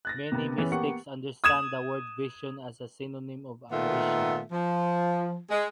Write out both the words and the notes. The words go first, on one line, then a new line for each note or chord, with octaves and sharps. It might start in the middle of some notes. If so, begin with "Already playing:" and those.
Many mystics understand the word vision as a synonym of apparition.
F#6 A6 A#6
C3 A#3 B3
E3 B3 C#4 G#4
A#3 B3 G4 F#5 C#6 C#7
D#6 G#6 E7
A#2 D#3 A3 B3 F4 E5
F3
G#3